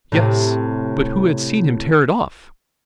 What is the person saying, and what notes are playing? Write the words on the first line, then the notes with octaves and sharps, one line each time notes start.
Yes! but who had seen him tear it off?
A2 C3